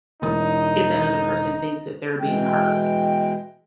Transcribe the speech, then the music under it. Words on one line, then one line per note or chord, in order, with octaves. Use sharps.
if that other person thinks that they're being heard.
E1 E3 D#4 D#6
B2 E3 G#3 G5